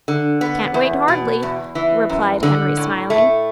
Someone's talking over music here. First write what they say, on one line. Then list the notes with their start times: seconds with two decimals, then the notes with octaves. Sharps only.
"Can't wait, hardly," replied Henry smiling.
0.08 D3
0.41 B3
0.74 E2
1.08 B2
1.43 E2
1.75 E3
2.09 F#2
2.43 D3
2.77 A2
3.10 A3